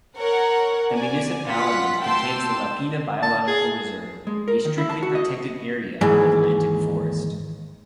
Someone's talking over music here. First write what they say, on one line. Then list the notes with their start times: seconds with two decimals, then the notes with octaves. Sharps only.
The municipality contains the Lapinha Biological Reserve, a strictly-protected area of Atlantic Forest.
0.17 A#4 C#5 F#5
0.91 D5 G#5
1.47 F4 F#5 B6
2.03 G5 A5 C6 E6
3.23 A5
3.47 G#4
4.27 G#3
4.48 A#4
4.65 D#3
4.78 E4
4.89 A5
5.03 F#4
5.15 D#5
6.01 D#2 G#2 E3